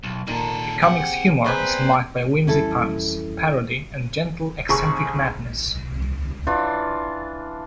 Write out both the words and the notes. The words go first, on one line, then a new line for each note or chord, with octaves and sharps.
The comic's humor is marked by whimsy, puns, parody, and a gentle, eccentric madness.
B1
A#2 D#3 A4
D2 C4 G4 G#4 F#5
C4 G#4 B4 C5 D5 E5 A#5 B5
F2 E3 G3 C#4 E4 A4
F1 G#4 C#6
E3 D4 F4